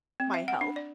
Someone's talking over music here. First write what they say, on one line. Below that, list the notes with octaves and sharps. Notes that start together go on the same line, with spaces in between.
my health.
C4
E5
F#5
D4
D5